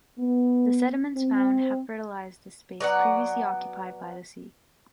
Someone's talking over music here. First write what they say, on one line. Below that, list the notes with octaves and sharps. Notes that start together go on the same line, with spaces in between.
The sediments found have fertilized this space previously occupied by the sea.
B3
C4
F#3 B3 D5 F#5